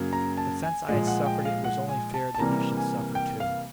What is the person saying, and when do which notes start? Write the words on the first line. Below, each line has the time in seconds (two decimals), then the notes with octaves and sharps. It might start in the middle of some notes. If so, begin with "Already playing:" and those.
But since I had suffered it was only fair that he should suffer too.
Already playing: F#2 C#3 F#3 A#3
0.13 A#5
0.37 A5
0.63 G#5
0.88 A#2 F3 G#3
1.07 F#5
1.26 G5
1.45 F5
1.64 F#5
1.89 G#5
2.14 A5
2.35 A5
2.40 C3 E3 G3 A#3 A#5
2.77 G#5
3.15 G5
3.40 F5